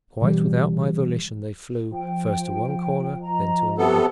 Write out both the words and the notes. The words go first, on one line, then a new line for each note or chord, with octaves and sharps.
Quite without my volition they flew, first to one corner, then to another.
B2 E3 G3
F3 G5
D#5 A#5
C3 B3 F#4 A4